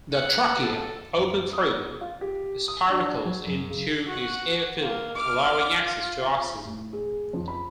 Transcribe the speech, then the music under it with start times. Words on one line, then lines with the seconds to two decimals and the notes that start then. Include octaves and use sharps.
The trachea open through spiracles into this air film, allowing access to oxygen.
0.12 F#5
0.60 A4
1.16 F#2
1.53 D#6
2.01 F4
2.21 G4
2.68 D#6
2.90 D4
3.25 F#3
3.46 F#2
3.70 C#3
4.07 F#4 F#5
4.81 A#3
5.15 D6 F6
5.82 F4
6.65 A2
6.93 G#4
7.33 F2
7.48 B5